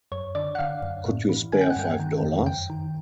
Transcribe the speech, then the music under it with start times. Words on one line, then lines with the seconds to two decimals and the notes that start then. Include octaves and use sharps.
Could you spare five dollars?
0.12 F#2 C#5
0.35 D3 D5
0.55 F#5
0.59 D3 F5
0.82 F#2
1.05 A2
1.29 E3
1.52 D3 G#5
1.61 G5
1.70 F#5
1.76 G2 G5
2.00 D#3
2.23 F2
2.46 F#2 G5
2.70 D#3